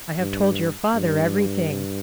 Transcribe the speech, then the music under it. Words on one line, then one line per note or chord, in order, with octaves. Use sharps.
"I have told your father everything."
G2
G2